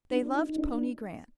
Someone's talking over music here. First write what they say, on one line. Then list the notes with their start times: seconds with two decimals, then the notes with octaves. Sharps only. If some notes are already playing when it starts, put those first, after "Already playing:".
They loved pony Grant.
0.11 D4
0.23 D4
0.35 D#4
0.58 D4